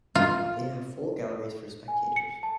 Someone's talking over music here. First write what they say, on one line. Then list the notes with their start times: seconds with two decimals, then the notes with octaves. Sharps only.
They have full galleries for spectators.
0.15 F4
1.88 G#5
2.16 C#7
2.43 A5